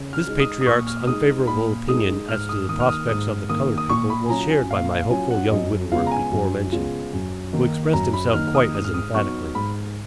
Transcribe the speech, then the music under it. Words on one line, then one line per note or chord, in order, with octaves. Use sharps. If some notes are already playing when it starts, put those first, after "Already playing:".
This patriarch's unfavorable opinion as to the prospects of the colored people was shared by my hopeful young widower before mentioned, who expressed himself quite as emphatically.
Already playing: C#3
F6
G#3 D#4
D#6
D#6
A#2 C#6
F6
G#3 D#4 D#6
A#2 B5
G#3 D#4 D#6
G#2 F6
D#6
D#3 A#3 D#6
F6
D#6
G#2 D#6
D#3 A#3 D#6
D#6
A#2 C#6
B5
G#5
F#3 C#4 F4 A#5
G#5
A#2 F5
F5
F#3 C#4 F4 G#5
F#5
F#2 D#5
C#3 G#3 B3 F4 F5
A#5
G#5
F#2
C#3 G#3 B3 F4
F#2
D#3 A#3 D#4
F#2 A#5
B5
D#3 A#3 D#4 F6
D#6
G#2 D#6
F6
D#6
F#3 B3 D#4 C#6
G#2 B5